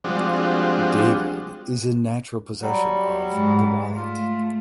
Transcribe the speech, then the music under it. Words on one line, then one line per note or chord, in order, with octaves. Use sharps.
David is in natural possession of the wallet.
F3 G3 G#3 C4 D4 F#4
F#3 G3
G#2 G#3
A3 F4